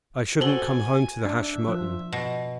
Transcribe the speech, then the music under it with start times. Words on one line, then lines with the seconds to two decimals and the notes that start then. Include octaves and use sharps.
I shouldn't come home to the hashed mutton.
0.41 F#4 A4 C5 G#5 F#7 G7
1.25 D4 E5
1.68 F3
2.13 B2